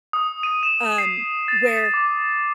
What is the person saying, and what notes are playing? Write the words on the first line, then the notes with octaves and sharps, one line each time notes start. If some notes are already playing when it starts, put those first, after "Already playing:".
um, where
D#6
D#7
E7
C7
A6
D6